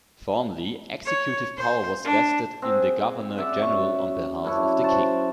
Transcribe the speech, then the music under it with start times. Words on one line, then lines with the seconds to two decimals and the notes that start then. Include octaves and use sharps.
Formally, executive power was vested in the Governor-General on behalf of the King.
1.05 C#5
1.58 C5
2.05 D4
2.62 C4 G#4 F#5
3.37 D5 E5 F#5
3.60 F#2 C#6
4.44 F#2 D4 E4 C#6
4.84 C5 F#5 A5 C#6